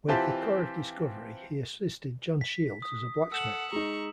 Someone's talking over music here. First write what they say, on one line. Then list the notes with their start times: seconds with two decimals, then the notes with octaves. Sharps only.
With the Corps of Discovery, he assisted John Shields as a blacksmith.
0.08 E3 C4 E4 F4 G4 A5
2.41 B6
2.82 D#6
3.32 A4 F#5 E6 E7 F#7
3.72 G#3 D#4 A#5 C#6